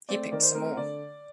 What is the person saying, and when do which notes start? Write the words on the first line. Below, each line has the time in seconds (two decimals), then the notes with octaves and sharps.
He picked some more.
0.09 A3 C4 D5
0.32 D#3 D5
0.43 C5
0.55 A3 C4 A#4
0.65 A#4
0.77 D3 D5